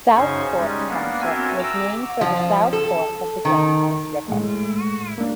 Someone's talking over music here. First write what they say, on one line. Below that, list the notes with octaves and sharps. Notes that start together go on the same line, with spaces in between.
South Fork Township was named for the south fork of the Groundhouse River.
F#2 C#3 C#4 D#4 C5 C#6
G3 G#3 C#4 D#4
A#3 B3 D4
C4 F#4 A#4 E5 G#5
A#5 D6 E6
F3
A4
D#3
A2 G#3 A3
A#3 D4